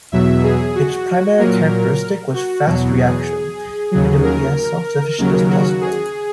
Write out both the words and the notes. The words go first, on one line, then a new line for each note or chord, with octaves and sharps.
Its primary characteristic was fast reaction, and it would be as self-sufficient as possible.
E2 B2 F#3 E5
G#4
F#4
A#2 F#3 A#4
F#4
E2 B2 F#3
G#4
D#2 C#3 F#3
A#4
D#2 C#3 F#3
F#4
G#4